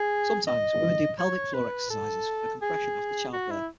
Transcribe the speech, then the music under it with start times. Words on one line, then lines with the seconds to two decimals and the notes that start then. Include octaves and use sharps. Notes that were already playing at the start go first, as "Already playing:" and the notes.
Sometimes women do pelvic floor exercises for compression after childbirth.
Already playing: G#4
0.47 D#5
1.19 C#5
1.54 B4
1.90 A4
2.61 G#4
3.33 F#4
3.51 E4